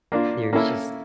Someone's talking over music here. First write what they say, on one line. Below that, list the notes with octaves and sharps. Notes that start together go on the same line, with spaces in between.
There's just
A#3 D4 F4
A#3 C#4 E4 A4